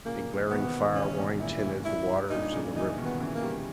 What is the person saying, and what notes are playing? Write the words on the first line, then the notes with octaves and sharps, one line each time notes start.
A glaring fire wine-tinted the waters of the river.
A#2 C#3 A#3
E3
B2 D#3 B3
D#3
C#3 E3 C#4
G#2 B2
G2 A#2 E4
G#2
G2 E4
G2 A#2 D#4
A#2 C#3
C#3 E3 D#4
B2 D#3
B3
C#3 E3
A#3
D#3 G3